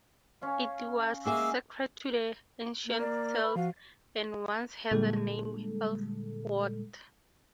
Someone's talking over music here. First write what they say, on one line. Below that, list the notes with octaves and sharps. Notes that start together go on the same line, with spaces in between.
It was sacred to the ancient Celts, and once had the name "elfwort".
C#4 C#5 F5
G#3 A#3 F#4 G#4 E5 D6 E6 F6
A#3
D5
B4 B5
F3 F#4 F5
A#2 D3 G3 G#3 A4